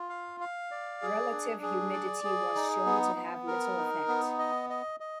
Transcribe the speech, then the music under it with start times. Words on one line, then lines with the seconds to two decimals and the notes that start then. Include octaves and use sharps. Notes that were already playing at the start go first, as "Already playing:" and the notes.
Relative humidity was shown to have little effect.
Already playing: F4
0.09 F5
0.40 F5
0.71 D5
1.02 G#4
1.32 D4
1.63 G#4
1.93 D5
2.24 G#4
2.55 D#4
2.86 B3
3.16 B3
3.47 A#4
3.77 D#4
4.08 B3
4.39 D#5
4.70 D#5
5.00 D#5